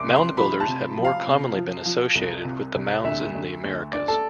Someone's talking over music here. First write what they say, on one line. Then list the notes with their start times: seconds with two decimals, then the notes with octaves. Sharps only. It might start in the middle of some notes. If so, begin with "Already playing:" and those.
"Mound builders" have more commonly been associated with the mounds in the Americas.
Already playing: C2 C6 D6
0.08 C3
0.16 C6
0.37 F3 B5
0.60 A5
0.67 C3
0.98 F3
1.05 F5
1.27 C3
1.57 F3
1.85 F3
2.15 C2
2.45 C3
2.75 C2
3.04 D2 E5
3.35 D2
3.65 D2
3.93 D4 D5
4.08 A4